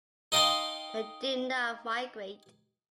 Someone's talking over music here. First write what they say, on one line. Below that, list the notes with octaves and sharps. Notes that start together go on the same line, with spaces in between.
They do not migrate.
D#4 D#5 F5 G5 A5 C6